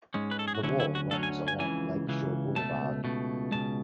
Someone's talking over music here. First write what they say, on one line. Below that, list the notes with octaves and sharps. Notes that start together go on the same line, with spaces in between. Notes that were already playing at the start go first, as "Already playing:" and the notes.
The wall runs along Lakeshore Boulevard.
G#2 G#3 C#4
B4
A4
G#4
F#4
D2 D3 F#3 C#4 E4
E4
F#4
D2 D3 F#3 C#4 A4
G#5
G#5
C#2 C#3 E3 G#5
C#2 C#3 E3
C#2 B2 A3 A5
C#2 B2 A3
C#2 B2 G#3 A5